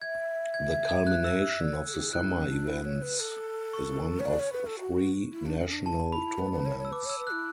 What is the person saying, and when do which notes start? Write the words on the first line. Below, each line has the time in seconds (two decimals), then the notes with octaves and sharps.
The culmination of the summer events is one of three National Tournaments.
0.01 E5 G#6
0.54 G#6
0.71 G#6
0.89 G#6
1.07 F#6
1.24 E6
1.42 E6
1.61 D5
1.74 C#5
1.87 A4
1.94 F#4
2.00 G#4
2.13 E4 F#6
2.31 C#4
2.49 D4
2.67 E4
2.84 C#5
3.02 B4
3.20 A4
3.73 C#6
4.20 C#5
4.26 D5
4.39 C#5
4.53 B4
4.66 A4
4.80 F#4
5.33 E4
5.46 D4
5.59 C#4
5.72 D4
5.86 E4 A5
6.12 E4 B5
6.38 B4
6.52 B4
6.65 C#5
6.79 C#5
6.85 E6
6.91 B4 D6
7.05 C#5 E6
7.18 B4
7.27 F#6
7.32 E4